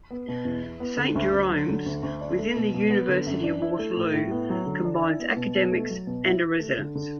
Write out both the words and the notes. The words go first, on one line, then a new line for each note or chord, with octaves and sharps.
Saint Jerome's, within the University of Waterloo, combines academics and a residence.
B3
B2
E2
E4
B3
D3
D2
D2
F#3
D3
D2
D2
D4
A3
B2
B2
B3
D3
F#2
D4
E4
A3
A2
A2
B3
F#3
D3
D4
E4
B3
B2
B2
A3
F#3
B2
E4
E4
A3
D3
D3